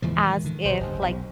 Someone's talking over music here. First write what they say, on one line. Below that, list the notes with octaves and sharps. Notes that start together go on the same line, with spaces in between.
as if, like,
E2 A#2 C#3 E3 F3 G#3
D#3
D3 D#3
A#1 C3 G4 C5 D#5
F#1 D2
B1